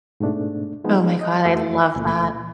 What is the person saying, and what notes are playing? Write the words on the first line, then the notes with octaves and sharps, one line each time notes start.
Oh my god. I love that.
G#2 B2 A3 D4
F3 G#3 B3 D#4
D#5
F2 A3 F#4 E5
C#2 A#2 A3